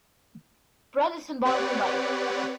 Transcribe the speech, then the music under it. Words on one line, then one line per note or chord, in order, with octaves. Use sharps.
Bread is symbolic for life.
C4 G4 B4 C#5 D5 F#5